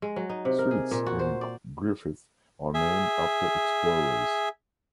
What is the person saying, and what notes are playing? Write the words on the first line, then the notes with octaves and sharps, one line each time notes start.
Streets in Griffith are named after explorers.
G#3
F#3
D#4
C3
A#4
G#4
A#2
F#4
C5
D5
G#4 E5